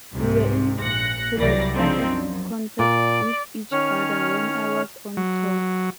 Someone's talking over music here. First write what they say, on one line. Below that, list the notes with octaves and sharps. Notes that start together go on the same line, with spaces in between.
We were in telepathic contact with each other when I was on tour.
C2 G#2 C3
A#1 F#6 A#6 C#7
C2 E3 F#3 G3 D5 A#6
C#3 F3 C4 D4 D#4
F#2
A#2 D5
D#3 C#4 C#5 F6
F#3